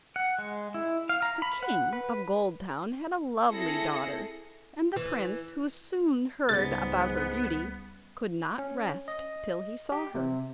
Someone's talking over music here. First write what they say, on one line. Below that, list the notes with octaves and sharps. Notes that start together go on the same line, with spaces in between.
The King of Goldtown had a lovely daughter, and the prince, who soon heard about her beauty, could not rest till he saw her.
F#5
G#3
E4
F5
A#5
B5
F#5
B4
C4 E4 G#4 A4 A#6 C#7
E3
C#2 G#2 C#3 G3 B3 A6
C#4
D#5
G4
C3